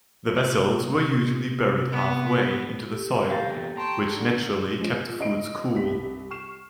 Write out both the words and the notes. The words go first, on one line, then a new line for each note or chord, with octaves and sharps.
The vessels were usually buried half-way into the soil which naturally kept foods cool.
C2 A#2 D5
C3
B3
G4 A4
F5 G5 A#5 A6
E2 A#2
G5 A5 A#5 C6 C#6
D3
F3 G#3
C#3 D#5 D7
C2 B6
C#6 F6 C7 E7